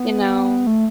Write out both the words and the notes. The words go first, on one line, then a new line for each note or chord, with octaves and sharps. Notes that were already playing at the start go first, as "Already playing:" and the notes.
you know
Already playing: B3
A3